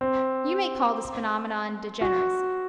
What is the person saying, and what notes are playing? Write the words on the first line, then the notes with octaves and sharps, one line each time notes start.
You may call this phenomenon degeneracy.
C4
F#4